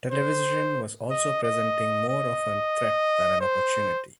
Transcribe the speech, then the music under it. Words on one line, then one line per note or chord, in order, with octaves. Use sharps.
Television was also presenting more of a threat than an opportunity.
C5
D#5
D#5
D#5
C5